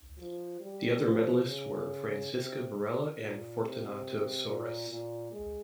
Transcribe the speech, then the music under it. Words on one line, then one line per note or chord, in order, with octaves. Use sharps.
The other medallists were Francisca Varela and Fortunato Soares.
F3
G3
F3
C#3
C3
A#2
C3
A#2
A#2
G#3